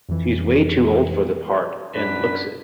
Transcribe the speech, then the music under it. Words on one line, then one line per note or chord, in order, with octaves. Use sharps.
She’s way too old for the part and looks it.
F2 E3
F#2 D4 B4 B6